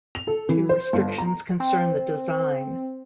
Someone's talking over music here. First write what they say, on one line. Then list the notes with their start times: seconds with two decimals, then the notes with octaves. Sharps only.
Two restrictions concern the design.
0.15 F7
0.27 A4
0.49 E3
0.69 C5
0.93 G1
1.18 A#5
1.60 C4